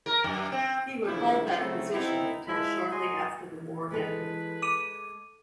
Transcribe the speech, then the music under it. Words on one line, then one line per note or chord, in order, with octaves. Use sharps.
He would hold that position until shortly after the war ended.
A#4
F#2
C4
C#3 E3 F3 D4 E4
C#3 F#3 A3 C4
B3 C4 D#4 E4
F3 G#3 E4 B5
F#3 F#4 D#5 G#5 C6
E3
G#3 A4 B4
D6 D#7